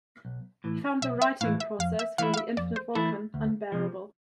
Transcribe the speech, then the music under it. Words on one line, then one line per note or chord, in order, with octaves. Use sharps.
He found the writing process for "The Infinite Vulcan" "unbearable".
B1
A2 E3
B1 E5
E5
A2 E3 F5
E5
F2 F5
E5
E3 A3 E4 F5
F5
E5
F2 D5
C5
E3 A3 E4 A4
D2
C3 F3